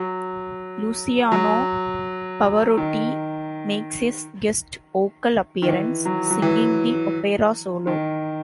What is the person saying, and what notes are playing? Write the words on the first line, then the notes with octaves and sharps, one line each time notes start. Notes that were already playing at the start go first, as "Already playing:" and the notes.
Luciano Pavarotti makes a guest vocal appearance, singing the opera solo.
Already playing: F#3
F#3
D#3
D#3
E3
F#3
F#3
E3
D#3